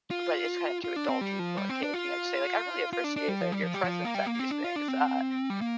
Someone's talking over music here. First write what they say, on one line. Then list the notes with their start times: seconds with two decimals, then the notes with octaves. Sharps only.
but it's kind of too adulty for a kid, you know, to say, "I really appreciate that your presence at these things," uh,
0.11 F4
0.84 F4
0.96 D4
1.09 C4
1.21 G3
1.39 F3
1.57 G3
1.69 C4
1.82 D4
1.94 F4
2.93 F4
3.04 D4
3.16 D4
3.28 G3
3.41 F3
3.52 G3
3.63 F3
3.74 G3
3.84 F3
4.05 A#3
4.15 G3
4.26 A#3
4.39 C4
4.51 D4
4.64 F4
4.76 D4
4.88 C4
5.50 G3
5.61 A#3